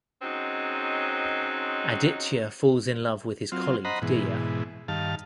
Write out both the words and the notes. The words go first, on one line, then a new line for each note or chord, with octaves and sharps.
Aditya falls in love with his colleague Diya.
F#3 G#3 C4 C#4 D#4
F#3 C4 F4
C5 D#5 F#5 A#5 B5
G#2 B2 E3
G2 D#3 F5 A5